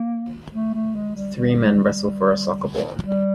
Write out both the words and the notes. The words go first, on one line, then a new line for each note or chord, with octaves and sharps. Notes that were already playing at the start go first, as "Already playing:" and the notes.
Three men wrestle for a soccer ball.
Already playing: A#3
A3
A3
G#3
G3
G3
G3